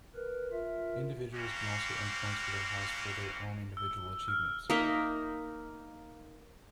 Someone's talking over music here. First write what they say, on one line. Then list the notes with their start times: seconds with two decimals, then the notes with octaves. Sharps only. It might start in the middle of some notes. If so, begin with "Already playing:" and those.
Individuals can also earn points for their house for their own individual achievements.
0.15 A#4 B4
0.52 F4 A#4 E5
1.34 G3 A#3 C4 C#4 F#4
3.77 E6
4.28 F6
4.70 A#3 D#4 A#4 E5